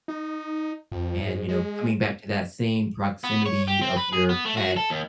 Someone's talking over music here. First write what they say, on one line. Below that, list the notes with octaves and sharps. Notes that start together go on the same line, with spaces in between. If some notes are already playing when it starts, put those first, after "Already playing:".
and, you know, coming back to that same proximity of your pet,
D#4
F2
G#2
G#3
B3
C#5
G4
C4
B4
G#4
B3
A3
F#4
A4
D#2